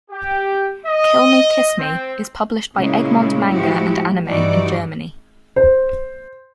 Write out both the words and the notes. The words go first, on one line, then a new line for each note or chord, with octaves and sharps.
"Kill Me, Kiss Me" is published by Egmont Manga and Anime in Germany.
G4
D#5
C4
A#2 C#3 G#3 A#3 E4
A2 F3 G#3 E4 F#4 G4
G2 E3 G3 D#4 F#4 D5
C5